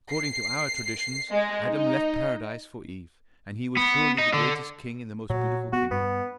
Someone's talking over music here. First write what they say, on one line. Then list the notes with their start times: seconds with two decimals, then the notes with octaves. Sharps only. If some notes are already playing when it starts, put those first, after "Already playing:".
"According to our traditions, Adam left Paradise for Eve; and he was surely the greatest king in the most beautiful kingdom."
0.11 C7
1.32 G#3
1.67 D#4
3.77 B3
4.18 D#4
4.33 D3
5.30 A#2 F#3
5.73 B3 F#4
5.91 G2 B3